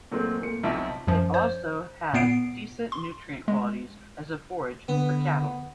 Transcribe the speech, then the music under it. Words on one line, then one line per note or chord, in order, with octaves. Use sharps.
It also has decent nutrient qualities as a forage for cattle.
A#2 F#3 G#3 A3 C4
A#2 A3 C#7
B1 C3 F3 F#3 E5 A5
F#2 F3
C5
A#2 B3 C7 D7
C6
G#3
D3 B3